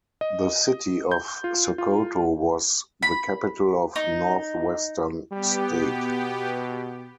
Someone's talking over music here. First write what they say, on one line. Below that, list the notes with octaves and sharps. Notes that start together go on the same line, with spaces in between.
The city of Sokoto was the capital of North-Western State.
D#5
G6
F4
F4
B5
D#4
G3 B3 G4
B2